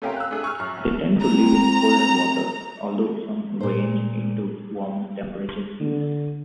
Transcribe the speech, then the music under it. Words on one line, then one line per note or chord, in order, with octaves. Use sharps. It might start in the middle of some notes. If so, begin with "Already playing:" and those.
They tend to live in colder waters, although some range into warm-temperate seas.
A3 A#3 C#4 F4 G4 A#4
E6 F#6
A3 D4 G#4
C#6 E6 F6
F#2 C#6
C2
C4 A#5
A#2 C5
D3